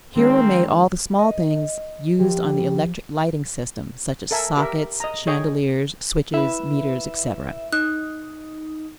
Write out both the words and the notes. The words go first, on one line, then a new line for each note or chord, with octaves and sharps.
Here were made all the small things used on the electric-lighting system, such as sockets, chandeliers, switches, meters, etc.
D#3 G#3 A#3 C4 C#4
D#5
F3 G4
A4 A#4 E5 G#5
G4 A#4 E5
D#5 A#5
G#4 C#5 D#5 G5
E4 B4 E5
D#4 F#6